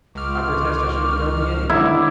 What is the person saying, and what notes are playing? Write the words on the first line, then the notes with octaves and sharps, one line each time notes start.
I protest I should have known thee anywhere.
C#2 F4 C#6 D6 F6
D3 D#3 G#3 E4 A#5 D6